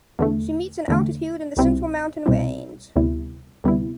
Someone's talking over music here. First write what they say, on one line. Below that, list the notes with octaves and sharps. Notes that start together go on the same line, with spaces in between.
She meets in altitude in the Central mountain Range.
E2 D3 A3
E2 D3 A3
C2 B2 G3 C4 E4
C2 B2 G3 C4 E4
D2 C3 G3 B3 E4
D2 C3 G3 B3 E4